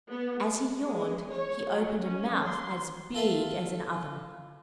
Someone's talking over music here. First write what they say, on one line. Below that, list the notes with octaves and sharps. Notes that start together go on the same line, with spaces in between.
As he yawned, he opened a mouth as big as an oven.
B3
G#3
G#3
C#5
F#3
C#4
C6
F4 A4 E5 A5 C6